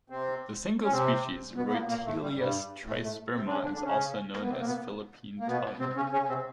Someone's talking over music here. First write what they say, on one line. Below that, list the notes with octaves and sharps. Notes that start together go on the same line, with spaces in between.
The single species, Reutealis trisperma is also known as Philippine tung.
C3 C4
C#4
C3 C4
B2 B3
B3
A#2 A#3
A#2 A#3
A2 A3
G2 G3
G2 G3
A2 A3
A2 A3
C3 C4
D4
C#3 C#4
D3 D4
D3 D4
C#3 C#4
A#3
B3
C3 C4
A#3
B2 B3
A#3
B2 B3
C3 C4
C#3 C#4
C#3 C#4
C3 C4